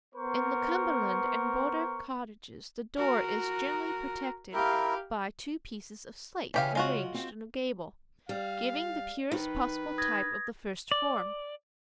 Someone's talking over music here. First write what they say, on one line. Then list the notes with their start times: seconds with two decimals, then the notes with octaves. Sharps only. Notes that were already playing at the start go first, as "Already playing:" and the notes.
In the Cumberland and border cottages the door is generally protected by two pieces of slate arranged in a gable, giving the purest possible type of the first form.
0.14 B3 A#4 C5 C#6
2.97 F#4 A#4
4.53 E4 G4 A#4 F5
6.54 C#3 E3 C#4 G4 F5
6.75 G#3 F4 F#4
7.14 C4 G5
8.29 G3 F5
9.32 D#3 B4
9.98 D#6 G#6 A#6
10.92 D5